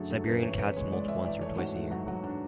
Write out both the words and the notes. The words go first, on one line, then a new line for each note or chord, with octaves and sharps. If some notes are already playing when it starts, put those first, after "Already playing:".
Siberian cats moult once or twice a year.
Already playing: F#2 D3 F#3 A3 D4 F#4 G#4 A4
F#3 A4
F#2 B4
E2 C#5
E2 B4
G#3 C#5
G#3 D5
E2 E5
E2 D5
A3 C#5
G#2 F#4
A3
F#3 F#4
F#3 F#4
D4